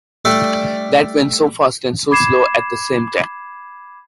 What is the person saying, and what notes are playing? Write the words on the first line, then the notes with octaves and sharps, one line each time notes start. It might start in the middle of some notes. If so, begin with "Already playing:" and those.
That went so fast and so slow at the same time.
G3 A3 D4 A4 D5 E5
B5 D6 G#6 C7 E7